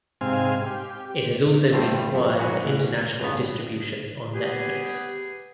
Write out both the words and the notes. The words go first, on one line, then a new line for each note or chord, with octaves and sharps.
It has also been acquired for international distribution on Netflix.
G#2 C3 C4 F5 G#5
G4
A1 G2 D3 G3 A3 C5
F2
A#1 G#2 A#3 F#4 B4 G#5
A1
C#2 G2 B3
B3 G4 G#4 B4